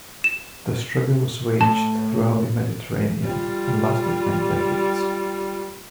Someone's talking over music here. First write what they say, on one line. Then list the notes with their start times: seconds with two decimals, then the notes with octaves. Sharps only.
This struggle was waged throughout the Mediterranean and lasted many decades.
0.24 E7
1.61 A2 A5
3.23 G3 F4